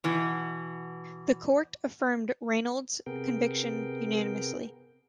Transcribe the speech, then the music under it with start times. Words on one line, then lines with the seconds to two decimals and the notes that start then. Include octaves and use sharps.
The Court affirmed Reynolds's conviction unanimously.
0.04 B2 E3
3.06 C3 B3 G#4 A#4 G5